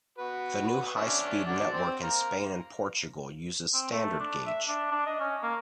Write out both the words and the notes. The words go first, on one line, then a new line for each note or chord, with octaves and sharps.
The new high-speed network in Spain and Portugal uses standard gauge.
F#4 B4
C#4 D4 E5
D4 F#4 D5
C4 C5
F5 A#5
C4
A3
D4
E5
D4
D4
D#5
C#4
A#3